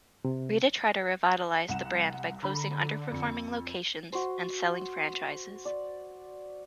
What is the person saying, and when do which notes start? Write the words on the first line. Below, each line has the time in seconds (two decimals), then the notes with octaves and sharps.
Rita tried to revitalize the brand by closing under-performing locations and selling franchises.
0.25 C3
1.69 C2 F#5 E7
2.43 D3 A#5 B5
3.11 F2 C#7
4.13 F#4 C5
5.65 D5